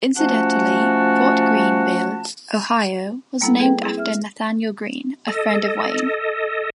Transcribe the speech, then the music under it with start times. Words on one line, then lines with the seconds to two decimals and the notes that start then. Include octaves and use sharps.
Incidentally, Fort Greene Ville, Ohio, was named after Nathaniel Greene, a friend of Wayne.
0.17 F3 A3 C#4 F#4 F#5 A5
3.41 G3 A#3 B3 E4 A4 F#5
3.59 G#4 A4 B4 G5
3.82 C4 E4 G#4
3.97 E5 F6
5.28 A4 D#5